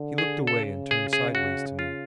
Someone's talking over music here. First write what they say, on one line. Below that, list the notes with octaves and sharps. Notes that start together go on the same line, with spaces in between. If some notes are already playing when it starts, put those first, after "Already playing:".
He looked away and turned sideways to me.
Already playing: D3
G#4
C#3 A4
G#4
G#4
F#4
F4